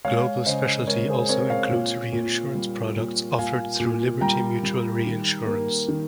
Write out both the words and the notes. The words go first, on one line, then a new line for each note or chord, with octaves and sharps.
Global Specialty also includes reinsurance products offered through Liberty Mutual Reinsurance.
G#3 C#5 F5
C#3 C5 D#5
G#3 A#4 C#5
G#4 C5
C4 A#4 C#5
C#5 F5
A#2
A#2
G3
A#2
A#2 F5 G#5
A#2
G3 G5 A#5
G3
D#3
A#3
D#3